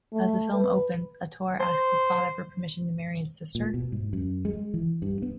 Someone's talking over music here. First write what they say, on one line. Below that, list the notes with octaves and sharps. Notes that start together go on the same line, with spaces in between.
As the film opens Ator asks his father for permission to marry his sister.
A3
B4
C5
A#2
B2
G#2
F#2
G#3
E3
G2
B3